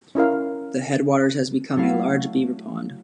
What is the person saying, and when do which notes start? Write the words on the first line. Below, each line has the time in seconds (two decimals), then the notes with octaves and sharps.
The headwaters has become a large beaver pond.
0.15 C#4 E4 A#4 F5
1.76 F#3 A3 E4 F5